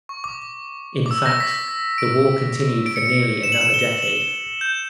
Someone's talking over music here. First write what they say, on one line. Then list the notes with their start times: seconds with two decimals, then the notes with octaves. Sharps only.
In fact, the war continued for nearly another decade.
0.09 C#6
0.24 D6
1.06 D6
1.11 E6
1.26 A#6
1.40 B6
1.98 D7
2.86 D7
2.96 C#7
3.06 D7
3.43 E7
3.52 F#7
3.61 E7
3.74 G7
4.02 F#7
4.61 G6